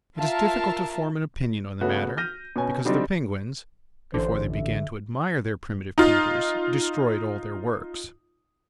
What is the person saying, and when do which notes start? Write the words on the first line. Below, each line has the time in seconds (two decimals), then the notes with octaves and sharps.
It is difficult to form an opinion on the matter, because the Penguins, before they began to admire their primitive painters, destroyed all their works.
0.19 F4 A#4 E5 F5 A5
1.81 C#3 A3 B3 F#4 C#5
2.17 F6 G6 A#6 D#7
2.56 B2 C#4 G#5
2.85 D3 F#3 G3 C4 D#4 D5
4.14 A1 D3 C5
4.53 E5
5.98 D#4 F4